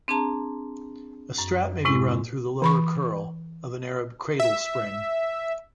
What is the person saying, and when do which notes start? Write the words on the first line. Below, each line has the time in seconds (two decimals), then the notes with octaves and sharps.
A strap may be run through the lower curl of an Arab cradle spring.
0.08 C4 D4 G#4 A5 A#5
1.38 F#2
1.85 A2 C3 G#3 C4 E4
2.62 E3 B5 C#6
4.40 E5